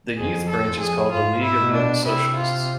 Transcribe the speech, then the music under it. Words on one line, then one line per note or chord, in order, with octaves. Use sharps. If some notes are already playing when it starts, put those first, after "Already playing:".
The youth branch is called the League of Young Socialists.
F2 G#4
A4
F2
G#4
G#2 F4
E4
B2
D4
C3 E4
F4